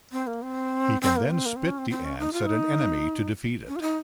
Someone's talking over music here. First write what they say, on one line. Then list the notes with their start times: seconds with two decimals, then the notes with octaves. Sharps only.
He can then spit the ants at an enemy to defeat it.
0.12 C4
0.27 A#3
0.42 C4
1.02 C4
1.17 A#3
1.30 C4
1.46 A#3
1.56 C4
1.68 C#4
1.78 C4
1.90 C4
2.05 C#4
2.19 D#4
2.33 F4
2.46 D#4
3.68 C#4
3.76 F4
3.82 D#4